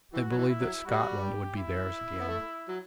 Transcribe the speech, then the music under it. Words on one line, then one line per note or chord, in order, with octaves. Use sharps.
They believed that Scotland would be theirs again.
E3 F#4
F#3
E3
E4
F#3
G3 F#4
G4
E4
B3
A3
F#3